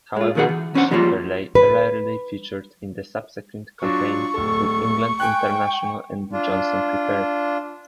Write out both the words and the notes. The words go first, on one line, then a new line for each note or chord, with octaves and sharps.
However, Shipperley rarely featured in the subsequent campaign, with England international Andy Johnson preferred.
G#3 F4
B1 D#3 F#3 D4 G#4 F#5
E3
B1 C#4 D4 C5 F#5
F3 G3 G#3 A#3 F4 C#5
B4
F#3 D4 F4 C#6
D1 A4
G5 G#5 F#6
D4 F4